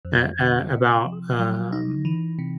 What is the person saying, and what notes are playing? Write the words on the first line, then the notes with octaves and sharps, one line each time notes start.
at, uh about, um,
F2
D3
C3
F3
F#3
D#4
E3
C3